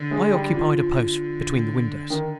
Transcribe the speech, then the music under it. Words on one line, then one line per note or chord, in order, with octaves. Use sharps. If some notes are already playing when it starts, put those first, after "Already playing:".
I occupied a post between the windows.
Already playing: D3
G#3
G3
F3
D3
D#3